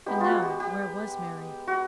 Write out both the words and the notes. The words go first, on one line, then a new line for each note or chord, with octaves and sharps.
And now, where was Mary?
G#3 B3 D#4 G4
F4 F#4
G4
G4
F#4